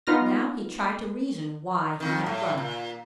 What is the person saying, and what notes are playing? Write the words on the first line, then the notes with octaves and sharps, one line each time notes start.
Now he tried to reason why he had run.
B3 D#4 F4 F6 A#6
F2 D#3
A2
A#2